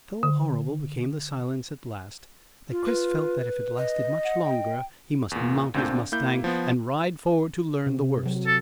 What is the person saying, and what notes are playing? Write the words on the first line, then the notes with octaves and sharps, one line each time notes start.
So horrible became the silence at last that Chris felt that if it lasted much longer he must mount his mustang and ride forward to learn the worst.
D3
F4
B4
D#5
F#5
G5
E2 A#2
D2 A#2 C4 D4 G6
A#3 E4 G6
F3 B3
C3
C3 F#3
A4